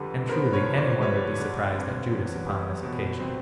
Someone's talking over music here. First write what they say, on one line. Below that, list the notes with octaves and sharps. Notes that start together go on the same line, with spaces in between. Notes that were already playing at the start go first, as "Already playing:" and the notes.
And truly any one would be surprised at Judas upon this occasion.
Already playing: F2 D3 G3 A4 B4
B3 A#4 C5
B4 C#5
F2
C5 D5
G3 B4 C#5
D3
C4
E2
G3
B2
C4